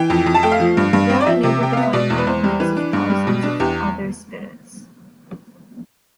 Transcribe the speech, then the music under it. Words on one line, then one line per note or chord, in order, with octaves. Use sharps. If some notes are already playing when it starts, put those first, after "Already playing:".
They are unable to find her in the midst of thousands of other spirits.
Already playing: E3 G5
F2
F2
A5
A3 G5
F5
F3
G2
G2
C4
D5
F3 E5
C3
C3 G5
B3 F5
E5
B2 D5
E2
B4
E2 C5
G3
E3 B4
D4
G2
G3
B2
D4
E2 G4